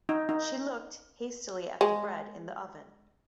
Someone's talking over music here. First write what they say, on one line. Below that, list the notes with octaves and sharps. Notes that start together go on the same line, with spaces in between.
She looked hastily at the bread in the oven.
D#4
D#4
G#3